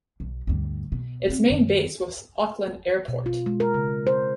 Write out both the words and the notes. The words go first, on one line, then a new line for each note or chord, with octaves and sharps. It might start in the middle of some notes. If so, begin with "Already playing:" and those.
Its main base was Auckland Airport.
B1
D2 G2
B2
C4
F#2 D#3
B2
F4
G#3
A#4
C#3
C5